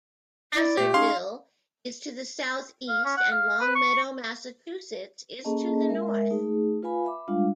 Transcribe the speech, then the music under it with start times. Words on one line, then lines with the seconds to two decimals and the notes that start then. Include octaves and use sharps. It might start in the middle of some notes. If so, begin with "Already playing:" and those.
Hazardville is to the southeast, and Longmeadow, Massachusetts, is to the north.
0.55 E4 D5
0.77 A#2 A3 G4
0.94 C#4 D#4 G#4 F5 C6
2.89 F5
3.05 C#4
3.17 F#5
3.32 F5
3.61 B4
3.75 C#6
5.44 A#3 C#4 G#4 A4 D#5 A5
5.89 G#3 A#4 E5
6.30 A3 D#4 G#4
6.83 F4 B4 F5 G#5 B5
7.05 E5 B5 D6
7.28 G3 G#3 D4 F4 F5